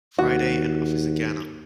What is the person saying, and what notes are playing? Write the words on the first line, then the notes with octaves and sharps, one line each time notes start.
Friday and Officer Gannon.
D#2 F#4